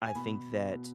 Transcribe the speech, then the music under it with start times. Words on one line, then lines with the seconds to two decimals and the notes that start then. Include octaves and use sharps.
I think that
0.06 G#5
0.15 B2 B5
0.74 B2